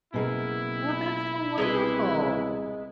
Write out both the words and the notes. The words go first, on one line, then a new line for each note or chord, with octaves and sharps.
Well, that's so wonderful.
F#1 B2 E4 G#4 A#4
C2 G#3 B3 B4